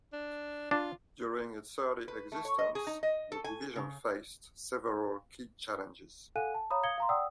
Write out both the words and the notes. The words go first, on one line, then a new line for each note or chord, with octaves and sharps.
During its early existence, the division faced several key challenges.
D4
D4 F4
B4
A3
C#5
D#5
G#4
D#4
D#5
A4
G#5
C#3
A4 F5 F#5 G#5 F#6 D#7
A5
C#5 F5 A#5 B5 D#6
F5 D#6 G#6 C#7 G7
F5 A#5 C6
D5 F#5 G5 D#6 E6